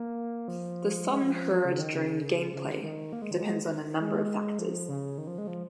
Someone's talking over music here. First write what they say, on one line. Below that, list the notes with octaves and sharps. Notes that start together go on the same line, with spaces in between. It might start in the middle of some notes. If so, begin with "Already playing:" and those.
The song heard during gameplay depends on a number of factors.
Already playing: A#3
F3
G#3
F3
C#3
D#3
C#3
C#3
D#3
D#3
A#3
G#3
D#3
G#3
G#3
F3
C#3
D#3
F3
G#3
F3